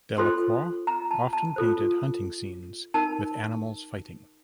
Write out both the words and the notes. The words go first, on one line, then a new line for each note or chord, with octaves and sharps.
Delacroix often painted hunting scenes and animals fighting.
D4 F4 A4 C5 C6
A#5
A5
A5
F4 A4 C5
D#4 A#4 A5